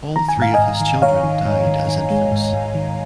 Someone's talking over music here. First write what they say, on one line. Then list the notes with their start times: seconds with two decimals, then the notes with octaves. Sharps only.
All three of his children died as infants.
0.16 D#3 A#5
0.28 G#5
0.37 G#2 F5
0.54 G#2 D#5 G#5
0.80 D#3
1.02 D#3 C#5 F5
1.24 D#3
1.45 G#2
1.67 D#3
1.89 D#3
2.10 G#3
2.32 G#2
2.53 G#2
2.75 D#3